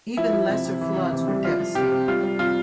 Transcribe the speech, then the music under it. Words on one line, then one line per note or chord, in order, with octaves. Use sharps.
Even lesser floods were devastating.
F3 E4
F3
C3
C3
E3
C3
C3
G3
F3 F4
F3
C3 G4
C3
G3 F4
G3
C3 F4